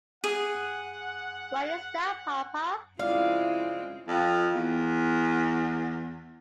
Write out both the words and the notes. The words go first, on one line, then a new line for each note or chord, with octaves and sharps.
Why is that, Papa?
G#4 F#5
C#3 G#3 C4 E4 F4 D5 F5
F2
E2